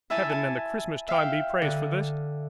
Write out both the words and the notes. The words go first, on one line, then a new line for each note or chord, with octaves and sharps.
Heaven and the Christmas Time be praised for this!
E4 E5 G#5 A5
G#5 A5
E5 F5 G5
D3